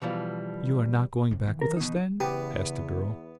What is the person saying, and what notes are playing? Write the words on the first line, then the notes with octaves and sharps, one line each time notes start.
"You are not going back with us, then?" asked the girl.
B2 E3 F3 G3
C#2 C3
D#3 E3
A#4
B2 D#4
E2 C#3 B3 G4 B4